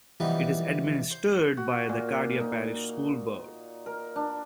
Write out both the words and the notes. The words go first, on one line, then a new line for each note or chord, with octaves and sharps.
It is administered by the Acadia Parish School Board.
E3 F3 G3 B3 D#4
C5
F#4
A#2
D#4
A#4
D4